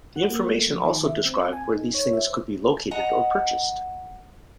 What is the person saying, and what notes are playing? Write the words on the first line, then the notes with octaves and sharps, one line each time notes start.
The information also described where these things could be located or purchased.
F#5
A#3
A3
F3
D#3
E5
C4
G#5
D#4
C#5
E5
C5
D#5 F#5 A#5